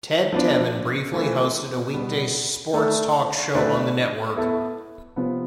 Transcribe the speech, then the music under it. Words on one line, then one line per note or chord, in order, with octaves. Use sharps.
Ted Tevan briefly hosted a weekday sports talk show on the network.
F3 B3 D4
E3 A3 C4 F4 B4
B2 G3 B3
A3 E4 A4 D5
D3 A3 E4 B4 D5
B3 E4 A4
C3 F3 B3